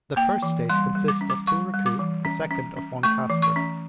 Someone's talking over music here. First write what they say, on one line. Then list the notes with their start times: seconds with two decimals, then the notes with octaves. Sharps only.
The first stage consists of two Recruit, the second of one Castor.
0.16 A#3 G5
0.43 E3
0.69 G3 C6
0.95 G3
1.08 D6
1.21 C#4
1.30 D6
1.47 G3 C#6
1.74 G3
1.86 D6
1.99 E3
2.25 C#4
2.51 C#4
2.77 C#4
3.03 A3 C#6
3.30 E3
3.42 C#6
3.56 C#4